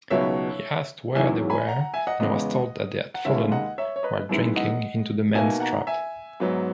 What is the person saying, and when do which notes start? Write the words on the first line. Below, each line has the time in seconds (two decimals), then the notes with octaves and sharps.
He asked where they were and was told that they had fallen, while drinking, into the men’s trap.
0.10 C#2 B2 F#3 B3 D#4 C#5 E5
1.15 E2 D#3 F#3 C#4 E4 E5 G#5
1.50 G#5 B5
1.67 F#5 A#5
1.81 F#5 A#5
1.94 E5 G#5
2.07 D#5 F#5
2.20 E2 C#3 G#3 B3 D#5 F#5
3.14 F#5
3.25 D#2 C#3 G#3 C#5 E5
3.52 D#5 F#5
3.78 C#5 E5
3.96 C#5
4.03 B4 D#5
4.29 F#2 D#3 G#3 B3 E4
4.56 D#5 F#5
5.34 B2 A#3 D#4 E5 G#5
5.60 F#5 A#5
5.87 E5 G#5
6.40 G#2 F#3 B3 D#4